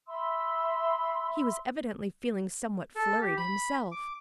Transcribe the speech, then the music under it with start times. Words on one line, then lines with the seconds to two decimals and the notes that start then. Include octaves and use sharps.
He was evidently feeling somewhat flurried himself.
0.08 E5 B5 C6 E6
2.95 A4
3.21 G4
3.37 B5
3.92 D6